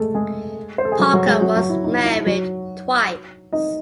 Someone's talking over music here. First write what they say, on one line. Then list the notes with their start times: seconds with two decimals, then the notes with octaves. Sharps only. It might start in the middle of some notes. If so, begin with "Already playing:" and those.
Parker was married twice.
Already playing: G#3 A3 G#4 A4
0.14 G#3 G#4
0.78 C5
0.85 A4
0.92 G#4
0.99 F#3 F#4
1.13 F#3 F#4
1.27 G#3 G#4
1.41 F#3 F#4
1.56 F#3 F#4
1.70 E4
1.84 D#4
2.05 E4
2.26 F#3 F#4
3.53 D#4 D#5